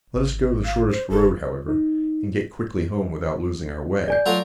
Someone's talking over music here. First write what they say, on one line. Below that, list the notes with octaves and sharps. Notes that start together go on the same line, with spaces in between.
Let us go the shortest road, however, and get quickly home without losing our way.
G#1
F5
C5
F#1 A4
D#4
G#4 D5 G#5 G6
F#3 A3 F4 A4 A#4 F#5